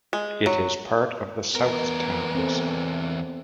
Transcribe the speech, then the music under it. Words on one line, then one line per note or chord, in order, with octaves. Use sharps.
It is part of the Southtowns.
G#3
F#3
E2 B3 A#4
C4 A4